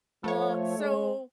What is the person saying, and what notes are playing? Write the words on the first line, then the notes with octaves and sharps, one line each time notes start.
Uh, so
F3 A3 C#5
G#3